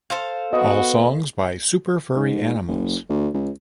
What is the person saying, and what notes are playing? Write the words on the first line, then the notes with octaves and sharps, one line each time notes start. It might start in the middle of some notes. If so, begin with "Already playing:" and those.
All songs by Super Furry Animals.
A4 C5 F5
B3 F#4 D#5
G#2
F#1
D2
C#2